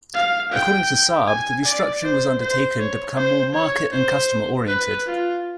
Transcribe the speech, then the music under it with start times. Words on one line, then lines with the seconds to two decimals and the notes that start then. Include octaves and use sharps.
According to Saab the restructuring was undertaken to become more market and customer oriented.
0.14 F5
0.52 G5
1.27 G#5
1.65 D5
2.03 C5
2.40 C5
2.79 C#5
3.17 C5
3.54 C#5
3.92 C5
4.67 B4
5.06 F4